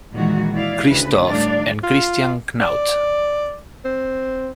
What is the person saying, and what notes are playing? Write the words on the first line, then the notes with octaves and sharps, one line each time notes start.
Christoph and Christian Knaut.
A#2 D#3 E3 G#3 F#4
E4 D5 F5
D2 C#3 B4
A2 D#3 G3 D4 D5 F5
F4
D5
C4